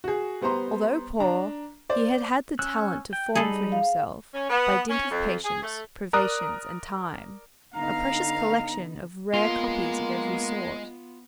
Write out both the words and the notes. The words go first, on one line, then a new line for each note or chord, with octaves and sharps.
Although poor, he had had the talent to form for himself, by dint of patience, privations, and time, a precious collection of rare copies of every sort.
F#4 G#4
G3 B3 C5 A#5 C6
D4 A#5
C5 D5
C#4 E6 F#6
G5
G3 D#4 G#4 A4 B5
F5
C#4
B3
C#4
F2
G#4
A3
A#4 D5 A#5 D#6 F#6
D3 B3 D#4 F5 A#5
G#3 A#3 B3 F4